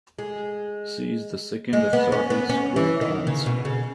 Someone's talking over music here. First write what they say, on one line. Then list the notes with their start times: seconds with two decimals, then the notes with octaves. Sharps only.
She is the second of Charlie's great-aunts.
0.19 G#3
1.73 G#3
1.93 B3
2.12 C#4
2.30 B3
2.49 C#4
2.76 E3
3.01 D#3
3.27 C#3
3.46 B2
3.65 C#3